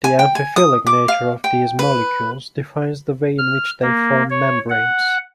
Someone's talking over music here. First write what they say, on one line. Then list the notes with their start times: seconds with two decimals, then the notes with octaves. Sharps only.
The amphiphilic nature of these molecules defines the way in which they form membranes.
0.04 G#5
0.19 G5
0.35 G#5
0.56 D#6
0.87 D6
1.08 F5
1.44 G5
1.79 B4
3.38 F6
3.82 A#3
4.30 C#5
4.70 F#5